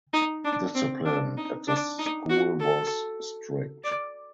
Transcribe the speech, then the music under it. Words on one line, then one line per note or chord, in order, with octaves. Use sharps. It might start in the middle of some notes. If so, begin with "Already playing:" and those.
Discipline at the school was strict.
D#4
D4
C4
D4
D#4
D4
D#4
F#4
A4
D5